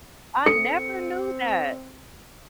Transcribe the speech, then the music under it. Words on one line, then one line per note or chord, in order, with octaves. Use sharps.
I never knew that.
C4 A4 C#7